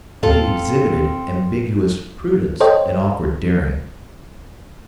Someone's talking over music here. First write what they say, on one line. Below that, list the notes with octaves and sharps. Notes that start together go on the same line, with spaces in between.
He exhibited ambiguous prudence and awkward daring.
D#2 A2 C4 F4 A4
A4 C5 C#5 D#5 G5